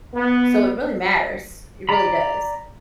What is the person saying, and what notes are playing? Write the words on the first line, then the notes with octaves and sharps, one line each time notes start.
So, it really matters. It really does.
B3
D5 A#5 B5